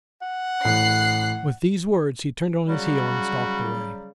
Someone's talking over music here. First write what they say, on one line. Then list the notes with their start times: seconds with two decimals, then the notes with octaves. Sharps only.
With these words he turned on his heel and stalked away.
0.22 F#5
0.65 A1 A2 F#6 C7
2.69 C#3 F#3 G3 F#4